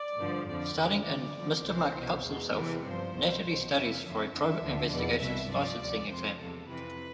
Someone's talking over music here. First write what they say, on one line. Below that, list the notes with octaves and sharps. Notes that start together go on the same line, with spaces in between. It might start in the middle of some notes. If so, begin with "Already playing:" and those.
Starting in "Mr. Monk Helps Himself", Natalie studies for a private investigations licensing exam.
Already playing: D5
G2 D3 F3
F2 D3 F3 D5
F2 D3 F3 D5
D2 D3 F3
F2 D3 F3
C2 C3 E3 C5
C2 B2
E2 B2
E2 C3 E3
G2 F3 C5
C2 B2
C2 B2
F2 C3 E3 E5
F2 D3 F3
F2 D3 F3 E5
D2 D3 F3
E2 B2 D5
C2 B2 E5
G2 F3 D5
D2 C3 F3
F2 C3 F3 C5
E2 C3 F3 A4
F2 C3 E3 B4